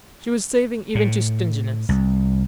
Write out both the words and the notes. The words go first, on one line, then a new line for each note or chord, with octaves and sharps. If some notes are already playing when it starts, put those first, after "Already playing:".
She was saving even to stinginess.
A2
C2